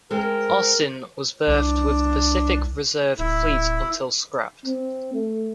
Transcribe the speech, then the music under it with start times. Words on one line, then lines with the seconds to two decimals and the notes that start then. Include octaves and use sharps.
"Austin" was berthed with the Pacific Reserve Fleet until scrapped.
0.11 G#3 C4 A#4
1.48 C2 D4
3.19 D1 E4
4.65 C4
5.14 A3